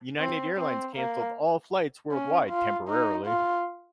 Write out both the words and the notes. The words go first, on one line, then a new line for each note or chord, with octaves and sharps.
United Airlines cancelled all flights worldwide temporarily.
C4
C4
A#3
C#4
F4
D#4
F4